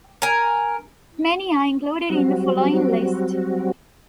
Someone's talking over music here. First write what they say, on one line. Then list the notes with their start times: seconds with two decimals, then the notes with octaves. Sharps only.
Many are included in the following list.
0.22 A#4 G#5
2.09 F#3 G3 C4 F#4